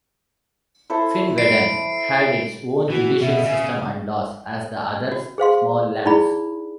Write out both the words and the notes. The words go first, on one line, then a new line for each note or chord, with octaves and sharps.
Finnveden had its own judicial system and laws as the other "small lands".
E4 A4 C5
C7 D7
E3 F#4
B2 E5
C#3
F#4
G#4 C5 F5 C6
D#4 E4 G#4 D5 B5